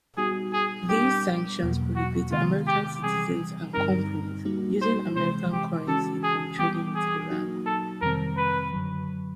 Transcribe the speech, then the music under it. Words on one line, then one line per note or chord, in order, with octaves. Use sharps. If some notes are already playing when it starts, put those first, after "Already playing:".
These sanctions prohibit American citizens and companies using American currency from trading with Iran.
G3 B3 D#4 F#4 G#4
G#4
G3 B3 D4 F4 G4 A#4
E2 B2 F#3 A#3
F#4
C3 D#3 G#3 B3 F4
G4
C3 E3 G3 C4 G#4
G2 D3 G3 C4 D#4 A#4
G3 A#3 D#4 F#4
C5
C3 E3 G#3 C5
G4
C#3 E3 G#3 C#4 F#4 A4
G#4
E3 G3 B3 G4
G#4
F#3 A#3 D#4 F#4
A4
F2 C3 D#3 G3 C4 A#4
B4
F#2 D3 F#3